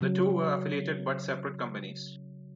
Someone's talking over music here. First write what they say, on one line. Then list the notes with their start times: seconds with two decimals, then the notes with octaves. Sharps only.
The two were affiliated but separate companies.
0.01 C#3 F#3